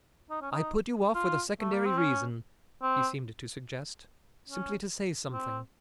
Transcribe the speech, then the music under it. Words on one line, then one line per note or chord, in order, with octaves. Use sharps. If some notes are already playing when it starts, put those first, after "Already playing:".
"I put you off with a secondary reason," he seemed to suggest, "simply to say something."
D#4
C#4
D#4
F4
A3
A#3
C4
C#4
C4
C#4
C4